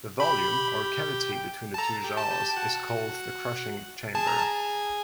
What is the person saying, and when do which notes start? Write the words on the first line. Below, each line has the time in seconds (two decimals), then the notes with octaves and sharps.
The volume or cavity between the two jaws is called the crushing chamber.
0.20 G4 B5
1.74 A5
1.78 A4 A#5
2.04 G4
2.17 A5
2.31 G4
2.57 F#4
4.14 G#4 A5
4.27 A#5
4.39 A5